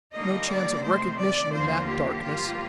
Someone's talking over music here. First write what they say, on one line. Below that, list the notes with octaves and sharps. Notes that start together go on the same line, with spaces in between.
No chance of recognition in that darkness.
D3 G3 A#3 D#4 D#5
D5
C3 D#3 A3 C5
D5
D#2 D3 F3 A#3 F4 C5
G4
G2 F3 A#3 F4